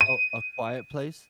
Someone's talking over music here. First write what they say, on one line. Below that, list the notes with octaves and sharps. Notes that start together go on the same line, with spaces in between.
Oh, A Quiet Place?
D#7